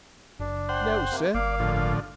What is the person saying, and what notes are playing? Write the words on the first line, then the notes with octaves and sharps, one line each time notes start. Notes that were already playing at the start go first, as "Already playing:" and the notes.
"No, sir."
F#1 D4
C5 F#5 G5
C3 A#3
G1 A#3 D5 F5
A2 D3 F3